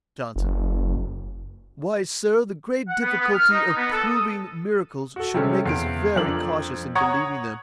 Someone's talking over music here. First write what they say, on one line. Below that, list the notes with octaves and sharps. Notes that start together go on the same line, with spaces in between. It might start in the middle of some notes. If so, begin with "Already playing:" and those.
JOHNSON. 'Why, Sir, the great difficulty of proving miracles should make us very cautious in believing them.
F#1
F#5
B3
B3
F6
D#4
B3
A4
D#6
F#4 A4
C3 G3 G#3 C#4 A4
E2 C#3 D7
F2 A#3 D4 A4 F#7
C#5 F#5 A#5 C#6 D#6 G#6